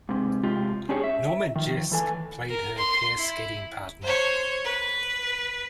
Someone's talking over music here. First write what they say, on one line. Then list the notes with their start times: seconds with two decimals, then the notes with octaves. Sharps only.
Norman Jeschke played her pair skating partner.
0.09 G#2 C3
0.43 C3 G#3 F4 G4
0.89 C#4 D4 G4 G#4 C#5
1.04 E5
1.56 D#3 F3
1.92 E3 A4 G#5
2.49 A#4
2.78 C6
3.18 E4
4.02 C5 C#5
4.64 B4